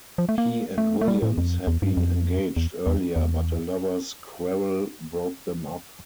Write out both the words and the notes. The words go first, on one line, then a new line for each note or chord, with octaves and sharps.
He and Williams had been engaged earlier but a lover's quarrel broke them up.
F3
A3
A#3
A3
A3
G3
A2
F2
E2
G2
F2
E2
E2
E2